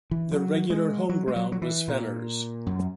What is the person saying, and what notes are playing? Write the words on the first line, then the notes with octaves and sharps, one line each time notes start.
The regular home ground was Fenner's.
E3
F#3
G#3
F#3
G#3
F#3
F#3
E3
A#2
F#2